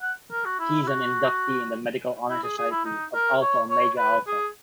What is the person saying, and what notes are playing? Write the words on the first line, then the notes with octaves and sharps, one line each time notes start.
He is an inductee in the medical honor society of Alpha Omega Alpha.
F#5
A#4
F#4
E4
E4
F#4
E4
G#4
G#4
E4
D#4
A#4
C#5
C#5
B4
G#4